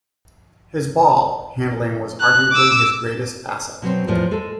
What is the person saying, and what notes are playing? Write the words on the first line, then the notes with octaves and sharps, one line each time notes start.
His ball handling was arguably his greatest asset.
F#6
D6 E6
B2 F#3 C4
E2 A2 F3 A#4 D5
G#3 A4